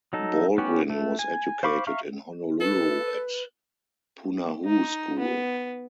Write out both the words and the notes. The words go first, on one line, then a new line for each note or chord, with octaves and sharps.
Baldwin was educated in Honolulu at Punahou School.
F#3 D#4 A4
B3 C#4 F#4 G4
A3
G#5
C5 F5 B5 C#6 D6
E5 F5 A#5 C#6 F6
A4 B4
D#4
B3